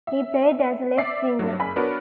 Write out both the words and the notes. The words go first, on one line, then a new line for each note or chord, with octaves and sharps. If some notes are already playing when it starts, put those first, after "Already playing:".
He played as a left winger.
E5
D5 E5 D6 C7
G2 F#3
F#1 G#5 B5 B6
B3 D4 F#4 A#4 B4 C#5